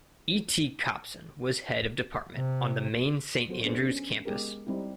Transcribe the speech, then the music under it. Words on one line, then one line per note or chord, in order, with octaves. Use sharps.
E. T. Copson was Head of Department, on the main Saint Andrews campus.
C3
F#3 B3 F#4 A4 C5
B3 D4 G#4 A4 B4 C5
C#4
G#3 B3 G4 G#4 A#4
G3 C4 D#4 E4